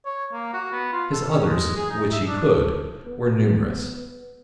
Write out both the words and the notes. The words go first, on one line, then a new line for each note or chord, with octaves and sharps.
His others--which he could--were numerous.
C#5
A#3
F#4
B3
F4
A4
C#4
G#3
G#4
D#4
E5
D4
B3